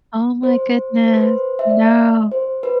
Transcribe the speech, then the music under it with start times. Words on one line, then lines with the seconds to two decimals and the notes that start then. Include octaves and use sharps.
Oh my goodness. No.
0.43 C5
1.06 C5
1.13 B4
1.21 C5
1.59 E5
1.69 D5
2.32 C5
2.63 B4